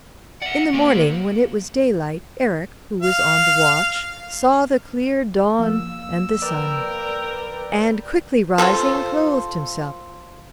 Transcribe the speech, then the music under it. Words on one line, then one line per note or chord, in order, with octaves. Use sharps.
In the morning, when it was daylight, Erec, who was on the watch, saw the clear dawn and the sun, and quickly rising, clothed himself.
D5 E5 F#5
A#3 G4 C5
F5
F3 A#3 F5 E6
A#4 B4 D5 G5
F4 G#4 A4 C5